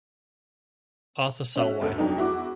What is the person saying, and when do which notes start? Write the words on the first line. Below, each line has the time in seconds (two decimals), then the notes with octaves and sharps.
Arthur Salwey.
1.56 C#4 F#4 E5
1.81 G1 D2 A4
1.98 F2 F#3 D4 D#4
2.17 E2 E4 F#4 D6